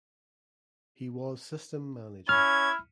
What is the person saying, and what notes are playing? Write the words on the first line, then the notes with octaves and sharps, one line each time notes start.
He was system manager.
C#4 E4 F6 G#6